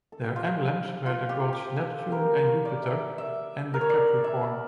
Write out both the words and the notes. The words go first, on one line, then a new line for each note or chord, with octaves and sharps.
Their emblems were the gods Neptune and Jupiter and the Capricorn.
A4
G4
F4
F4
G4
G4
A4
A#4
C#5
D5
E5
E5
A#4
C#5
D5
E5